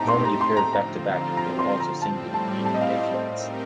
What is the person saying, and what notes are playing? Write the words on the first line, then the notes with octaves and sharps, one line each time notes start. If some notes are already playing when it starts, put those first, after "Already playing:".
Normally paired back-to-back, they were also used singly leading F-units.
Already playing: A2 A3 C4 D#4 G4 A5 A#5
C6
A#5
C6
A#5
D3 F3 C4 F4 A#5
A#5
C6
A#5
A2 G3 C4 A5
A5
A5
D#5
F5
D#5
C5
A3 C4 D#4 G4 A#4